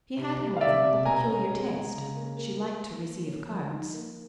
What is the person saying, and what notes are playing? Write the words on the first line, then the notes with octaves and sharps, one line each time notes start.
She had, however, a peculiar taste; she liked to receive cards.
C3
G3
F5
C3 D5 E5
C3
B2 G#5 A#5
C#4
G#3
G#3
C#3
A#3
A#3
A#3
A#3
A#3
C#4
F3
D#4
A#3